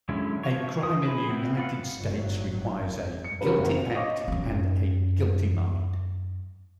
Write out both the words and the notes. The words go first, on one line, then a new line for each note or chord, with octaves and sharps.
A crime in the United States requires a "guilty act" and a "guilty mind".
D3 F#3 G#3 C#4 E4
F3 C#5
F3 D#6
G#4 B4
B3 C4 E4
F4 B4 D5 F#5
G1 A2 F#3
C#7
C#3 G3 A#4 B4
F#1 B1 C4 F#4
F7
C#5 D#5 F5 C#6 D6
F#2 C#4